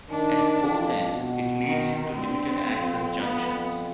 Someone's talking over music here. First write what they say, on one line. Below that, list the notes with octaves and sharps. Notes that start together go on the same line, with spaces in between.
At both ends it leads into limited-access junctions.
D#3 D4
F2
B2
D#3
G2 C4
F2
F2 B3